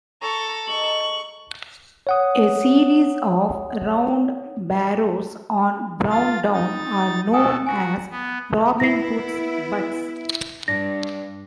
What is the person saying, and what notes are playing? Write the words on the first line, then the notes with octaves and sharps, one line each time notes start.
A series of round barrows on Brown Down are known as Robin Hood's Butts.
A4 A#5 C#6
G#4 D#5 A#5 C#6 F#7
C#5 F#5 D#6
F4 A6
D#4 A6
B2 A4 F5 G#5 D#6
F#4 G#5
B3
B3 E4 A#6 C7
G2 D4 A#6